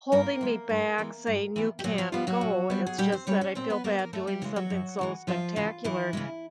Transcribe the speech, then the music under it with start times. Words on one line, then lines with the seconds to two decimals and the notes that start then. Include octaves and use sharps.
holding me back saying, "You can't go." It's just that I feel bad doing something so spectacular
0.12 G2 A#3 A#4
0.41 E3 G#3 B3
0.69 G2
0.98 E3 G#3 B3
1.27 G2
1.56 E3 G#3 B3
1.79 G4
1.84 A#2 F#3 F#4
1.98 F3 F4
2.12 F3 G3 B3 F4
2.27 F#3 F#4
2.41 A#2
2.70 G3 B3
2.86 G#4
2.98 A#2 G3 G4
3.12 C4 C5
3.27 G3 B3 C#4 C#5
3.41 C#4 C#5
3.55 A#2 C4 C5
3.70 B3 B4
3.84 G3 A#3 B3 A#4
3.99 A#3 A#4
4.13 F#2 A3 A4
4.27 G3 G4
4.42 C#3 E3 G#3
4.56 F#3 F#4
4.70 F#2
4.99 C#3 E3 G#3
5.27 F#2 F3 F4
5.56 C#3 E3 G#3
5.84 F#2 E3 E4
6.13 C#3 E3 G#3